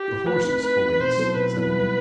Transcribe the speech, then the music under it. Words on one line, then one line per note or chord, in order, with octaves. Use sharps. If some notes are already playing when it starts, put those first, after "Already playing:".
"The horses, Holiness," said the man.
Already playing: G4
E4 A4
A3 B4
C4 D#4
A3 B4
C4 D#4
B2 C5
F#3 B3 E4 A4
B2 B4
F#3 B3 E4 A4
G3